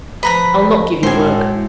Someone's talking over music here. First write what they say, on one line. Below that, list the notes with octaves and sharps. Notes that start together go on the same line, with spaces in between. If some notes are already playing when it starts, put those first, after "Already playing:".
I'll not give you work.
F3 B4 A#5 B5
A2 G#3 E4 F#4 C5 G#5